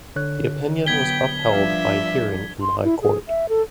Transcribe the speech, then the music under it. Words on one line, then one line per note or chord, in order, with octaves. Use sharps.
The opinion was upheld by a hearing in the High Court.
D3 C#5 F#6
F#3 B3 G5 G#6 B6 G7
F3 G3 D4 B4 E5 F5
C6
E4
G#4
E5
A4